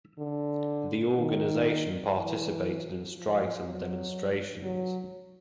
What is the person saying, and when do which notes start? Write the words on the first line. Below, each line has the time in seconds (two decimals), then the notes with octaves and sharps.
The organization participated in strikes and demonstrations.
0.18 D3
1.18 D#3
2.16 E3
3.16 F3
3.64 F#3
4.63 F#3